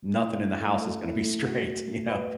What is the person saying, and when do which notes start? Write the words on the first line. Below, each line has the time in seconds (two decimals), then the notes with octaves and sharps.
nothing in the house is gonna be straight, you know?
0.19 E4
0.40 A3
0.61 A3
0.82 A4
1.03 E4
1.24 A3
1.46 F#4
1.67 A3
1.88 A3
2.09 B4